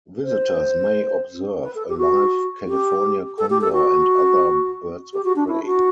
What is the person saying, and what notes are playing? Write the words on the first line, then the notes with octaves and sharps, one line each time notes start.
Visitors may observe a live California condor and other birds of prey.
C5
B4
A4
G4
F#4
G4
A4
G4
A4
F#4
G4
F#4
D4
E4
F#4